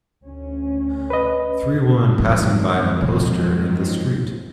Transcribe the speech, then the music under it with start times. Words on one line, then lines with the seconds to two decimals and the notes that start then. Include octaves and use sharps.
Three woman passing by a poster in the street.
0.21 D2 C#4
1.10 B4 D#5
2.04 D#3 F3 F#3 G#3 C4